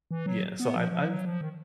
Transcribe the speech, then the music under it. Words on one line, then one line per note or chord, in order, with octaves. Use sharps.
Yeah, so, I've I've
E3
F#3
B3
F3
F3
F#3
F3
D#3